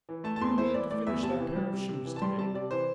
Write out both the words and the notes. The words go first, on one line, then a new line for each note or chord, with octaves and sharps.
"Do you mean to finish that pair of shoes to-day?"
E3
A3 A5
A5
E2 C6
E4 C5
E3 D5
A3 D5
E2 E5
C3 A5
E3
G3
C3
C3
E3
A5
G3 C6
C3 A5
C3 D5
E3 C5